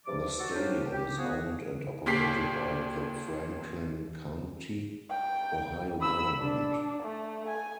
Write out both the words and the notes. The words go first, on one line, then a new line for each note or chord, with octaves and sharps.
The stadium is owned and operated by the Franklin County, Ohio government.
G2 C3 F3 G#4 D5 D6
F#4 A4
F#3 C4 D4 D#4 F4 G4
G4
F3 B3 F#4 G#4
D#2 A#2 G4 B6 C7
G5
B5 E6
D4
A3
G#5